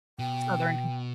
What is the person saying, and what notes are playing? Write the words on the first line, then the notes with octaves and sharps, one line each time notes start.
Southern C
B2 G5